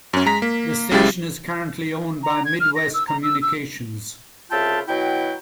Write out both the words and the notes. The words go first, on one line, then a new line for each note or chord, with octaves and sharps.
The station is currently owned by Midwest Communications.
F#2 C#4
G#3 A#5 B6
A#3
C#2 C#3 G#3 E4 G4 A6
A#5
G#6
F6
A#6
E6
A#5
E6
E6
C2 C#3 F4 E5 G5 A5
B2 F#3 E4 G5